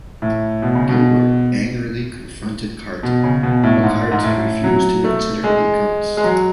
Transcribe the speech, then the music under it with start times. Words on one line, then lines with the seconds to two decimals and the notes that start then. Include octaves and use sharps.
Gilbert angrily confronted Carte, but Carte refused to reconsider the accounts.
0.22 A2
0.62 B2
0.75 C#3
0.89 B2
3.03 B2
3.23 C#3
3.43 B2
3.63 A2
3.83 G#2
4.12 G#2
4.23 A2
4.64 F#3
5.04 A3
5.44 G#3
6.17 G#3
6.24 F#3